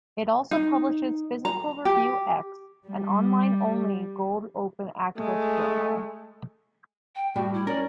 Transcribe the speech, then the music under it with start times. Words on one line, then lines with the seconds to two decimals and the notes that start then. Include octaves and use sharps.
It also publishes "Physical Review X", an online-only gold open access journal.
0.51 D#4
1.45 A#5
1.85 G4
2.85 G3
5.17 G#3 A3
7.15 G5
7.36 A2 G3 F#4
7.54 E4
7.67 C#4 A#4 D5